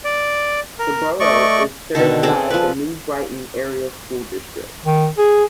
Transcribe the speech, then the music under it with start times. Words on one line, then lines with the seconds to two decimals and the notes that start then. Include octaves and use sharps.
The borough is served by the New Brighton Area School District.
0.05 D5
0.79 A#4
1.20 A3 D5 D#5 C#6
1.95 B2 D3 D#3 A4
2.23 C4 G#4 A4 D5
2.51 F3 B4
4.85 D#3
5.18 G#4